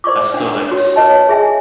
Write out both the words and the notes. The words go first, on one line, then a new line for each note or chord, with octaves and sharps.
Pastor Ex.
C5 D5 C#6 D6
D4 F#5
F#4 C#5
B4 C#5 D#5 A5
G#4 E5 G#5